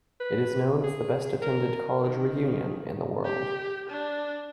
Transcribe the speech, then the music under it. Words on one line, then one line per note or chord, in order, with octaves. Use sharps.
It is known as the best-attended college reunion in the world.
B4
G#4
A#4
D#3
G4
D4